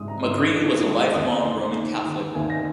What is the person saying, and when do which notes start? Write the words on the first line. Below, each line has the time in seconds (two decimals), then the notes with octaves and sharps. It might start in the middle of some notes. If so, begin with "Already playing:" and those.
MacGreevy was a lifelong Roman Catholic.
Already playing: G#2 G#3 D#6
0.08 A#5
0.23 G#2 C6
0.38 D#6
0.53 F4
0.83 G#3
1.14 D#2 D#6
1.44 D#4 C6
1.75 A#3
2.04 D#3
2.35 D#2 G#5
2.50 A#6